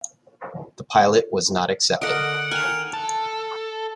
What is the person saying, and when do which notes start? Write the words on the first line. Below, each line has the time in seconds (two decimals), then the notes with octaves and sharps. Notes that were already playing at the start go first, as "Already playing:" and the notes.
The pilot was not accepted.
2.02 D3 D4 A#4 D#5 F#5 D7
2.51 D#3 G#5 F6 F7
2.93 A4